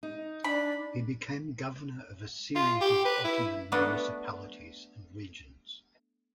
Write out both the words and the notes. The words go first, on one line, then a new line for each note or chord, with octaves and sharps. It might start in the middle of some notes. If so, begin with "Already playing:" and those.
He became Governor of a series of Ottoman municipalities and regions.
D#4
D4 B5
F4
G4
B4
E4
A3 B3 D4 F#4 B4